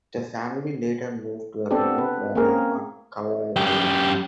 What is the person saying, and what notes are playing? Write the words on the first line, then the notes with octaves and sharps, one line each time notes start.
The family later moved to a remote valley on Kauai island.
B3 C4 D4 G4 A4
B4
A#3 C4 C#4 G#4 A#4
F#2 G4